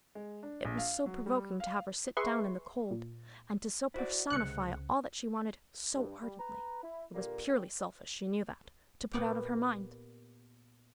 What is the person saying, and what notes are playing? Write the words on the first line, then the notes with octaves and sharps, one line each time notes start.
It was so provoking to have her sit down in the cold, and to so personify all that she wanted so ardently,--it was purely selfish, she knew that,--to put out of her mind.
G#3
D4
A#1
F5
F#3
G3
F5
G#4 B4 E5 C6 C#6
A#2
E4 F#4 C5 D5 F#5
C#2 C3 G#3 F#6 C#7
G2
G3
B4 A#5
E4
A#2 D3 G3 A#3
F#2 G5
A#2 B3 G4